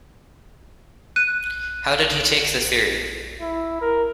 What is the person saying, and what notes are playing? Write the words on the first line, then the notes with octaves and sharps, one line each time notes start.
How did he take the theory?
F#6 D#7
E4
A#4